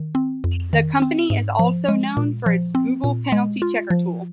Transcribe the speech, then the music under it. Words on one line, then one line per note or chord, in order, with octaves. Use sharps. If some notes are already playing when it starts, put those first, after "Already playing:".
The company is also known for its Google Penalty Checker tool.
Already playing: D#3
C4
F2
D#3
C4
G#2
F3
G#3
A#2
F3
C4
A#2
G#3
F4
F3